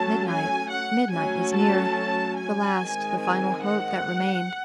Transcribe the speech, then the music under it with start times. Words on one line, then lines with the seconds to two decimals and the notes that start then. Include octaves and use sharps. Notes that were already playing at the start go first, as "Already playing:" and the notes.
Midnight--midnight was near, the last, the final hope that remained.
Already playing: F#3 A3 C#4 A5
0.28 G#5
0.70 F#5
1.12 F#3 A3 C#4 G#5
1.54 A5
2.37 G#5
2.79 D#3 G#3 C4
3.22 G#5
3.63 F#5